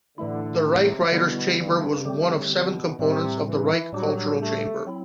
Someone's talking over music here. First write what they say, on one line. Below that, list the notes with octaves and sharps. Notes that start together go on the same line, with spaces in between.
The Reich Writers Chamber was one of seven components of the Reich Cultural Chamber.
A2 D3 E3 A3 E4
C3
B2 D3 G3 B3 E4
G2
A2 D3 G3 C4 G4
B2
A2 C3 G3 C4
E3
A2 F#3 G3 D4 G4
A3
F#3 C4 E4